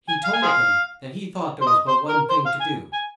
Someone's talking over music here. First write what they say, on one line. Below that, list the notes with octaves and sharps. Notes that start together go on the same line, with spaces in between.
He told them that he thought there was but one thing to do.
G#5
F5
G#5
G#4 C5 F5
C5
D#5
C5
A#4
C5
F5
G#5
G#5